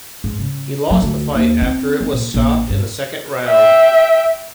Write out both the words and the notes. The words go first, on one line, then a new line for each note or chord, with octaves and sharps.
He lost the fight after it was stopped in the second round.
G#2
C#3
F#3
D2
D#2
C4
C4
A#2
A#1
G2
E5 G5